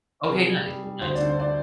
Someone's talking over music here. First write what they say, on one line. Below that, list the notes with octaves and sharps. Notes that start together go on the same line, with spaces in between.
Okay, nice, nice.
A#4
C3 G#4
G3
G3
G3
D2 C5
D3 D5
C5
D3 D5